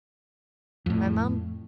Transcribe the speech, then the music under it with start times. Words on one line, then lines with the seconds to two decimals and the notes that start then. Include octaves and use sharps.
my mom,
0.86 F2 A2